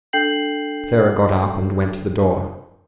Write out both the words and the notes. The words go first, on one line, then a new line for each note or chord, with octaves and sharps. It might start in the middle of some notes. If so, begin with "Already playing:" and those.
Sarah got up and went to the door.
D4 A4 G5 G6 C7 F#7